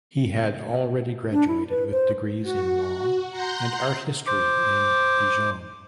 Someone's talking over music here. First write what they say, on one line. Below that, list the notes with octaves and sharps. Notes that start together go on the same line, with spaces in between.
He had already graduated with degrees in law and art history in Dijon.
D4
E4
B4
C5
F#4
F#5 A#5 C6 G6
C5 D6